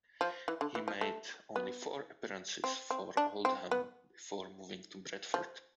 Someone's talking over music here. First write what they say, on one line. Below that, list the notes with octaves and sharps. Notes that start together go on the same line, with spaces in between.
He made only four appearances for Oldham before moving to Bradford.
F3
E3
D3
E3
F3
A3
B3
C4
C4
D4
C4
B3
F3